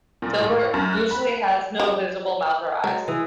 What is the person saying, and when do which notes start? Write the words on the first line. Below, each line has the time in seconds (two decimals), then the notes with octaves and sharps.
Dilbert usually has no visible mouth or eyes.
0.22 A#2
0.40 A2
0.74 F#2
0.93 F#6
1.11 B5
1.80 G4
2.84 F#3 G#3
3.08 E3 G#4